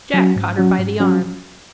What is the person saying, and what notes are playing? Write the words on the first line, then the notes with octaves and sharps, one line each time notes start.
Jack caught her by the arm.
F#3 C#4 F#4
G#2
F#3 C#4 F#4
G#2
F#3 C#4 F#4